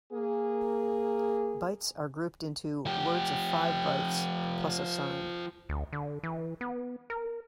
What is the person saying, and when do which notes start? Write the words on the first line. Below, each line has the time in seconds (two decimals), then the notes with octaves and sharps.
Bytes are grouped into words of five bytes plus a sign.
0.11 A#3 G#4
2.86 F3 G4
5.69 D2
5.93 D3
6.23 E3
6.61 B3
7.10 A#4